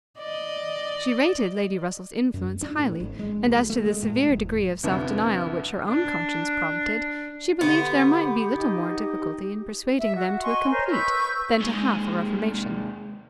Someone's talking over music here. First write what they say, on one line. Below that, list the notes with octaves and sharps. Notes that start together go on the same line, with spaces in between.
She rated Lady Russell's influence highly; and as to the severe degree of self-denial which her own conscience prompted, she believed there might be little more difficulty in persuading them to a complete, than to half a reformation.
D5 D#5
F#2
D4
A2
G#1
G#3
D2
A3
G#3
A2
E1
C2 F2 D3 B3
D4
D3 B3 G4
D#4
E5
F#4
D#5 G#5 C6 C#6
A#4 C5 C#5
B4 C#6 E6 G6
D#2 G#3